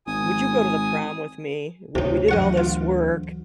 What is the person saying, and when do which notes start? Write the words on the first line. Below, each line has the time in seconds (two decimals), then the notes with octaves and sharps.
"Would you go to the prom with me? We we did all this work,
0.07 G#1 G#5 D#6
1.95 D2 C3 D#4 F#4 C#5
2.29 E3 F#3 D#5 F#5 C#6
2.58 F4